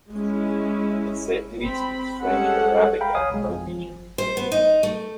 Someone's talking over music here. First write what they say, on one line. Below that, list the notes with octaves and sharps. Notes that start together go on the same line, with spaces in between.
Essediri speaks French, Arabic and Norwegian.
G#3 C#4 E4
C4 B5
G3 G#3 C#4 A4 F#5
F5 G5 A#5 B5
C#2 C#5 F5 G#5 D#6
B1 G#3
F2 G#5
F3
C5
B3
D#4
A3